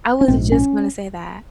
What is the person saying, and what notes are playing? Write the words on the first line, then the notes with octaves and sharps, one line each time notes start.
I was just gonna say that.
C#4
A#1 G#2 C4
C#4